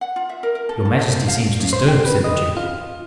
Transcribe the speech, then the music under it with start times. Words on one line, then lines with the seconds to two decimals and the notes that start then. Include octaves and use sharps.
"Your majesty seems disturbed," said the duke.
0.01 F#5
0.16 F4
0.29 E5
0.43 A#4
0.55 A#4
0.69 A4
0.85 A4
1.01 A4
1.15 C5
1.28 F5
1.60 F#2
1.73 C5
1.88 G5
2.05 B4
2.24 D#5
2.57 F4